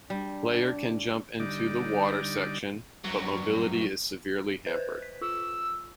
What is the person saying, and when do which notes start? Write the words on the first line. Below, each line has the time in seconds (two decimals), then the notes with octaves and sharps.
Player can jump into the water section, but mobility is severely hampered.
0.10 G3 D4
1.40 D3 G3 D#4 D5
3.05 G2 F#3
4.67 B4 C5 F#6
5.02 B6
5.22 F4 E6